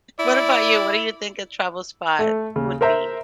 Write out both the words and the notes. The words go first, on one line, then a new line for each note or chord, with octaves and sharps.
What about you? What do you think a travel spot would be?
E4 D5
A3
D#2 C#3
A#4 C5 E5 A#5